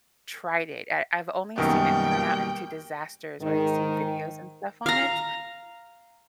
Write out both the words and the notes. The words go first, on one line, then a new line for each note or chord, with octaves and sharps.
tried it. I I've only seen it turn out into disasters when I see videos and stuff on it.
F#2 B2 D#3 G3 A#3 G5
G#2 D#3
F5 A#5